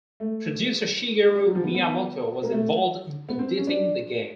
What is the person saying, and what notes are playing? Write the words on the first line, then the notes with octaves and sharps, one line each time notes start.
Producer Shigeru Miyamoto was involved in editing the game.
A3
G3
F#3
F3
B3
B3
A#3
A3
B3
C4
C#4
D4